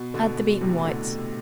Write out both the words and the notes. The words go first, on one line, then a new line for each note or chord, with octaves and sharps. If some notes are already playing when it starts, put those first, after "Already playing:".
Add the beaten whites.
Already playing: B2
B2 D3
A2 C3
B2 D3